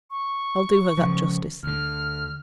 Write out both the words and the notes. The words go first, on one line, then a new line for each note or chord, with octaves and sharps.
I'll do her that justice.
C#6
C#3 F3
D2 D3 F6